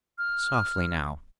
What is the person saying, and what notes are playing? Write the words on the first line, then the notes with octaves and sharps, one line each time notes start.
Softly now.
F6